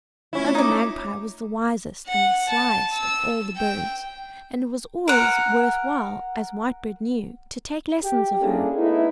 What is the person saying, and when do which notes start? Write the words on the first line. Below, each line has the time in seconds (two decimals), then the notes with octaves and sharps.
Mother Magpie was the wisest and the slyest of all the birds, and it was always worth while, as Whitebird knew, to take lessons of her.
0.33 A3 C#4 E4 F4
0.55 D#4 D6
2.06 F#5
2.50 A5
2.92 E6
3.57 G5
5.08 A#4 F#5
8.03 G4
8.41 A#3 C#4 D4 E4 G#4 A4
8.77 A3 B3 D#4 E4